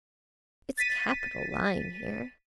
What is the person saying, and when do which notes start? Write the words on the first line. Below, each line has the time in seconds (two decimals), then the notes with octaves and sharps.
"It's capital lying here."
0.77 A6 B6 D#7